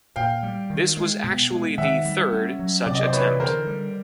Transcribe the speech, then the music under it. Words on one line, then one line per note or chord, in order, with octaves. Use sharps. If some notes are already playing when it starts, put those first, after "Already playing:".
This was actually the third such attempt.
A#2 F5 G5
G3
D#3
G#3
B2
G#3
D#3 E5 F#5
G3
C#4
F#3
C3 D5
D#5
C5 D5
E3 B4 C#5
D3 A#4 C5
G3